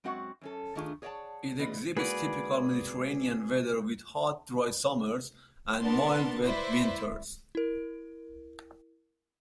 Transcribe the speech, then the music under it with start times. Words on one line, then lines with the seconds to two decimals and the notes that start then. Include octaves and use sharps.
It exhibits typical Mediterranean weather with hot, dry summers and mild, wet winters.
0.04 F#2 G#3 C4 F#4 F#5
0.41 F#2 C#4 A4
0.75 D#3 A3 D4 F4 G#4
1.02 G#4 C#5 D5 E5 F#5 A5
1.59 E3 B3 F4 B4 D5 D#5
1.97 G#3 A#3 F#4 G#4 B4 D5
5.80 B3 D4 A#4 A5 C6
6.43 E4 B4 C5 D5 E5
7.55 E4 A#4